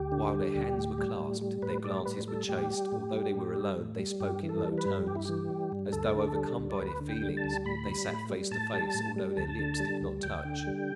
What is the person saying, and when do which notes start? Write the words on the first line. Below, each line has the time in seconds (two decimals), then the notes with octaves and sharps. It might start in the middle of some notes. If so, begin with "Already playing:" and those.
While their hands were clasped their glances were chaste; although they were alone, they spoke in low tones. As though overcome by their feelings they sat face to face, although their lips did not touch.
Already playing: D2 G4
0.12 D3
0.33 G3
0.55 D2
0.77 A2
0.98 G3
1.20 A2
1.41 G3
1.62 A2 B4
1.84 G3 D5
2.06 A2 B4
2.27 G3 A4
2.49 A2 G4
2.70 G3
2.92 A2
3.13 G3
3.35 A2
3.56 G3
3.78 A2
3.99 G3
4.20 G2 G4
4.43 E3
4.49 A4
4.64 G3
4.78 B4
4.85 G2
5.06 G2 G4
5.16 E4
5.25 E3 G4
5.50 G3
5.72 G2
5.92 D2 A4
6.15 D3
6.36 G3
6.58 D2
6.70 D5
6.79 D2 B4
7.01 D3
7.08 G5
7.22 G3
7.37 A5
7.44 D2
7.65 A2 B5
7.86 G3
8.08 A2
8.30 G3
8.51 A2 A5
8.73 G3
8.94 A2
9.16 G3
9.37 D2 A5
9.59 D3
9.80 G3
10.01 D2
10.23 D2 G5
10.45 D3
10.67 G3